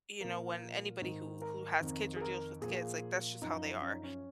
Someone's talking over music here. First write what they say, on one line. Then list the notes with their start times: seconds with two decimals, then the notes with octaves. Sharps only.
you know, when anybody who, who has kids or deals with kids, like that's just how they are,
0.20 A#2 F3 A#4
1.02 G#2 D#3
1.42 A#4
1.81 F2 D#3
2.16 G#4
2.21 A#4
2.62 A#2 F3 G#4
3.41 F#2 F3 D#4
3.82 C#4
3.93 D#4
4.03 C#4